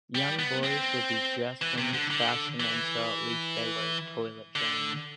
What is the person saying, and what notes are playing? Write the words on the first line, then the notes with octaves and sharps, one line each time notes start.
Young boys would be dressed in this fashion until at least they were toilet-trained.
G3
B3
C4
E3
C3
D3
D3
E3
D3